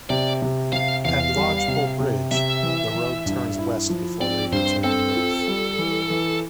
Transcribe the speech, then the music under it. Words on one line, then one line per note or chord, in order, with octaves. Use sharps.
At Lodgepole Bridge, the road turns west before later turning north.
C3 D5
C3
C3 F5
E2 F5
G3
C3
C3
C3 E5
E3
E3
G2
E4
F3
C4 D5
G2 C5
C4 A4
F4
G3
E3
E3